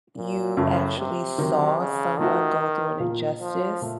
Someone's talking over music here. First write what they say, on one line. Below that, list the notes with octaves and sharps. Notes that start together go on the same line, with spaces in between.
you actually saw someone go through an injustice?
A#2
F#2 A2 C#3 F#3 A3
C3
D#3 F#3 C4
C#3
D#3 F3 A3 D#4 F#4
A#2 F3 A#3
F3
A#2 A3